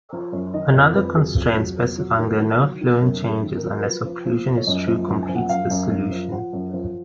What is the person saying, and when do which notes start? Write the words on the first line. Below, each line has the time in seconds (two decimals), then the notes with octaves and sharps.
Another constraint specifying that no fluent changes unless occlusion is true completes this solution.
0.13 F3
0.32 F#2 C#5
0.54 D#3 D#5
0.74 F2 C#5
0.95 F2 B4
1.15 F#3 G#4
1.36 F2
1.57 F#3
1.77 F2
1.98 F#3
2.18 D#3 A#4
2.40 D#3
2.60 F#3
2.81 D#3
3.01 F#2 A#4
3.22 F#2
3.28 G#4
3.43 D#3
3.57 A#4
3.64 F#3
3.79 A#4
3.83 F3 B4
4.05 F3
4.26 F3
4.46 F3
4.57 C#5
4.66 F#2 D#5
4.87 F3
5.08 F#2
5.23 G#5
5.29 F3
5.36 F#5
5.49 F#2 F5
5.70 F#2
5.91 F#2
6.11 F3
6.32 F3 F#5
6.53 F#2
6.74 F3